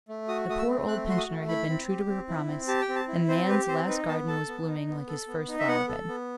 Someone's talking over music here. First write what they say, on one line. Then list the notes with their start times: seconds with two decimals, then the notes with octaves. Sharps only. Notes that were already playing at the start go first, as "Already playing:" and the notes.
The poor old pensioner had been true to her promise, and man's last garden was blooming like his first flower-bed.
0.09 A3
0.28 F#4 D#6
0.49 A3 D#6
0.59 E6
0.69 C4
0.88 A3 F#6
1.08 F#4 C6
1.18 D#6
1.29 A3
1.48 E4 B5
1.69 C4
1.89 G4
2.08 C4
2.29 E4
2.48 C4
2.68 G4 A5
2.82 G5
2.89 C4
2.95 A5
3.08 E4
3.28 C4 C5
3.48 G4 B4
3.68 C4 C5
3.88 D#4 B4
4.08 B3 A5
4.28 A4 A5
4.48 B3
4.68 D#4
4.88 B3
5.08 A4
5.28 B3
5.48 D#4
5.59 E5
5.68 B3 F#5
5.88 A4
6.08 B3